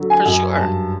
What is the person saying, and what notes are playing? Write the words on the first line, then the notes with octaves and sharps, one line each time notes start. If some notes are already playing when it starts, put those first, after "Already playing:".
For sure.
Already playing: D3 F#3
G#5
F#2
G2 A5